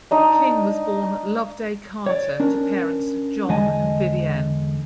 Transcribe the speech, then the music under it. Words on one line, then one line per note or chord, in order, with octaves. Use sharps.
King was born Loveday Carter to parents John and Vivienne.
D4 D#4 D#6
C#5 D5
C#4 D4 A#4
E2 D3 G#3 D#5 G#5 A5